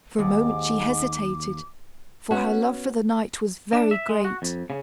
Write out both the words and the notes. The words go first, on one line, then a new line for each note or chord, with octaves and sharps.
For a moment she hesitated, for her love for the knight was very great.
D#2 G#2 D6
B3 C#4 F#4
D4
E5
G#3
F#4
F2
C#3